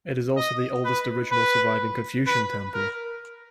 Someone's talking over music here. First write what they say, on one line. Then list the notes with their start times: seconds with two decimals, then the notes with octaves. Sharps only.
It is also the oldest original surviving Confucian temple.
0.37 D#5
0.85 B4
1.32 B4
2.27 B4
2.74 A#4